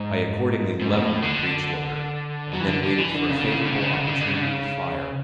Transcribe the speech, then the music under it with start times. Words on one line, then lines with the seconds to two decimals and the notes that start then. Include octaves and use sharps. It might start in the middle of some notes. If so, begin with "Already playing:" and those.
I accordingly levelled the breech-loader, and then waited for a favourable opportunity to fire.
Already playing: G#2
0.81 G#2
0.93 B2
1.01 A2
1.22 D3
2.53 F#3
2.60 E3
2.68 D3
2.83 D3
2.98 E3
3.14 D3
3.29 C#3
3.37 D3
3.44 C#3
3.51 D3
3.58 C#3
3.65 D3
3.72 C#3
3.79 D3
3.86 C#3
3.93 D3
4.00 C#3
4.07 D3
4.14 C#3
4.21 D3
4.28 C#3
4.35 D3
4.42 C#3